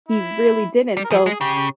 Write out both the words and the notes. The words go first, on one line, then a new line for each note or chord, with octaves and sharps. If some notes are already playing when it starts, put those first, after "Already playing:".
he really didn't, so
E4
G3
A#4
F3 G#4
G#3 G#4
C#3 G4
G4